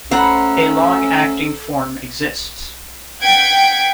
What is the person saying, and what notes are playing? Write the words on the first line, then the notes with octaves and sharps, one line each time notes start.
A long acting form exists.
F#3 A3 C#4 A4 C5 F#5 A#5 B5
F#5 G5 G#6 B6 D7